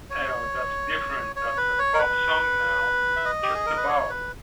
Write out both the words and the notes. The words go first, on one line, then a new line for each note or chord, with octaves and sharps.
Hell, that's different-that's a pop song now, just about.
C#5
C#5
B4
C#5
A#4
B4
E5
D#5
G4
G#4
A#4
B4
C#5
B4